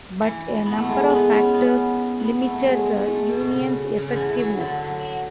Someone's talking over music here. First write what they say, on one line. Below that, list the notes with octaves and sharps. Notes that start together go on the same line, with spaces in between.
But a number of factors limited the union's effectiveness.
E3
B3
A3
G#3
B3
C#4
B3
B3
A3
F#3
G#3
G#3
A3
B2
B2
C#3
C#3
D3
E3
E3
F#3
D3
F#3